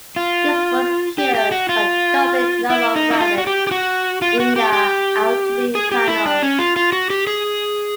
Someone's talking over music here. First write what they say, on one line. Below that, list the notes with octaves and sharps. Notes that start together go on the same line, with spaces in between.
This was cured by doubling the number of rivets in the outer wing panels.
F4
G4
G4
F#4
F4
E4
D#4
E4
F4
F#4
G4
G4
F#4
F4
F#4
G4
G4
G#4
G4
E4
D4
C#4
F4
F4
F#4
G4
G#4